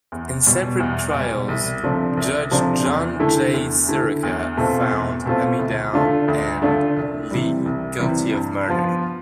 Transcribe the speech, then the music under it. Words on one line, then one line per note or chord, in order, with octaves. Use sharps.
In separate trials, Judge John J. Sirica found Ammidown and Lee guilty of murder.
E2
B2 G3
E2
B2 G3
C2
C3 F3 A3 D4
C2
C3 F3 A3 D4
E2
D3 A3 E4
E2
D3 A3 E4
E2
B2 A3 C4 F4
E2
B2 A3 C4 F4
D2
D3 A3 D4 F4
D2
D3 A3 D4 F4
C2
C3 E3 G3
C2
C3 E3 G3
G2
F3 B3 F4